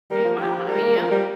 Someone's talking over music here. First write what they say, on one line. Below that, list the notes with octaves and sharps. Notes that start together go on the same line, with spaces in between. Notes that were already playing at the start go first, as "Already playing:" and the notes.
I mean, why not? I mean, you know,
G3 A#4
F3
F3 G4
G3 A#4
A#3
F3
G3